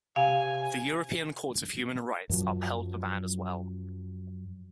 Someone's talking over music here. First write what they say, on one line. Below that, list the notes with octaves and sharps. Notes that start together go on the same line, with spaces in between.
The European Court of Human Rights upheld the ban as well.
C3 F5 G#5
F#2 F3 F#3